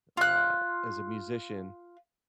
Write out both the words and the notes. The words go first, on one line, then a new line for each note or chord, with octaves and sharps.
uh, as a musician
F4 F#6